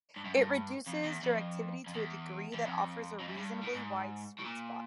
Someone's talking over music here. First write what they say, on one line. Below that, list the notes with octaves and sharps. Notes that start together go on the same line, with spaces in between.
It reduces directivity to a degree that offers a reasonably wide sweet spot.
G2
F#2
G2
F2
E2
F2
F2
E2
E2
F2
F2
F#2
G2
A2
G#2
A2
A#2